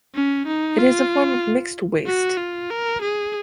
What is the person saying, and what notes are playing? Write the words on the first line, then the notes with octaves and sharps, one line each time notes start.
It is a form of mixed waste.
C#4
D#4
F4
F#4
F4
A#4
G#4